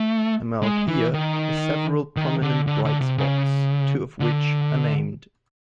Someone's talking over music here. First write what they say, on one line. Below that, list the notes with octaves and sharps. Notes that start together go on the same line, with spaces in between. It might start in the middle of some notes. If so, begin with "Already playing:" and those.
Amalthea has several prominent bright spots, two of which are named.
Already playing: A3
G#3
E3
D#3
D#3
D3
D3
D3
C3
C#3
D3